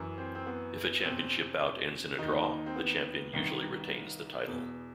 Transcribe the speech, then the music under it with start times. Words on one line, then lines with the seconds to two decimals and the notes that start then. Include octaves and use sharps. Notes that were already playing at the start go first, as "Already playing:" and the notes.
If a championship bout ends in a draw, the champion usually retains the title.
Already playing: F#2 E3
0.18 C4
0.35 C4
0.46 B3
1.04 E2 B2 C4
2.18 D#2 D#3 D#4
2.66 C4
2.76 B3
3.33 C2 C3 D#3
4.48 E2 B2